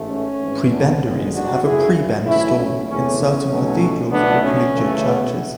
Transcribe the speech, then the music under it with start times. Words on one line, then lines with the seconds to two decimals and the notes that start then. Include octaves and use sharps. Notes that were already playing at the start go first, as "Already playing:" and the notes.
Prebendaries have a Prebend Stall in certain cathedrals or collegiate churches.
Already playing: A1 G#2 E3 A3
0.09 C#4
0.40 G#1 G#2 E3
0.71 B3 D4
1.03 A1 G#2 G#3
1.34 D4 F#4
1.63 F#2 C#3 F#3 E4 G#4
2.26 B1 B2 A3 C#4 E4
2.57 C#4
2.87 E2 D3 A3 C#4
3.19 C#4
3.50 B1 B2 F#3 A3
4.11 B1 B2 A3 B3 D4
4.42 C#4
4.73 D2 C#3 E3 A3
5.05 B3